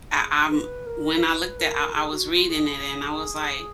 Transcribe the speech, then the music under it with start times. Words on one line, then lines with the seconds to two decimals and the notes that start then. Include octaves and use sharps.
I, um when I looked at I I was reading it and I was like,
0.15 G#4
0.52 B4
0.86 A#4
1.16 A#4
1.23 B4
1.59 A#4
1.95 G#4
2.13 F#4
2.31 F4
2.49 G#4